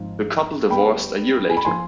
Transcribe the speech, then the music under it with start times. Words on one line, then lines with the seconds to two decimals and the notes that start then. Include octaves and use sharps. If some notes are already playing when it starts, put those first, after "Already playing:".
The couple divorced a year later.
Already playing: G#1 G#2 F3
0.70 D2 D3 G3 B3 G5 B5
1.49 G#5
1.57 B5
1.65 F3 G#5 C6